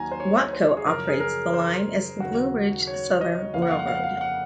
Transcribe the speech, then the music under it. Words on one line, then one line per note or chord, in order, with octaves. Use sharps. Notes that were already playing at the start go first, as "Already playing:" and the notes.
Watco operates the line as the Blue Ridge Southern Railroad.
Already playing: D#2 D#3 F#3 A#3 G#5 A#5
C5
C#5
C5
G#4
F#2 C#3 F3 A#4
G#4
A#4
C5
D#2 C#3 F#3 F#4
C#5
D#5
F2 C#3 F3 A#3 F5
F#5
F5
F#5
F5
F#5
F5
F5
F#5